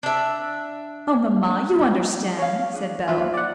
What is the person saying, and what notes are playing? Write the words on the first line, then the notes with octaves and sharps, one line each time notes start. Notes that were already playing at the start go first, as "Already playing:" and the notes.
"Oh, mamma, you understand," said Bell.
D4 E5
C#5 F5
D4 G#4
F3 D#4 F4 E5
D5 F#5